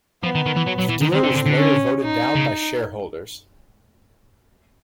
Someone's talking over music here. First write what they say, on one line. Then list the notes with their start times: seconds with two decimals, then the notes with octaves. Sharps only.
The deal was later voted down by shareholders.
0.23 F3 B3
0.35 D#3
0.46 D#3
0.57 E3
0.67 F#3
0.79 F#3
0.90 E3
1.02 D#3
1.12 D#3 C4
1.24 D3
1.30 C#3
1.35 D3
1.46 D3
1.57 C#4
2.02 D#4
2.36 C#3